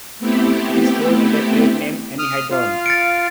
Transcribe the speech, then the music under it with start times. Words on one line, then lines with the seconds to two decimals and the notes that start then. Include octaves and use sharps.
It is sold under the trade name anhydrone.
0.19 A3 B3 C4 E4 G4
2.19 D#6 F6
2.51 F4 F5
2.86 A6 C#7 D7